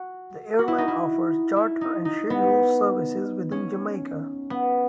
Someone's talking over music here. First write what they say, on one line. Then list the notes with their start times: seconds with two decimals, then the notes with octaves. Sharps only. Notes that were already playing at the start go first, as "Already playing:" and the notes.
The airline offers charter and scheduled services within Jamaica.
Already playing: F#4
0.59 F#4
0.68 E4
0.78 D#4
0.88 E4
1.56 E4
1.81 D#4
2.05 D#4
2.30 B3
3.52 C#4
4.51 B3